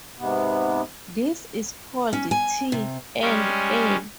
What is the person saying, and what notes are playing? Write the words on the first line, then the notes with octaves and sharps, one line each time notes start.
This is called T-N-A.
G#2 C3 B3
C#4
G#5
C3
G3 G#3 C#4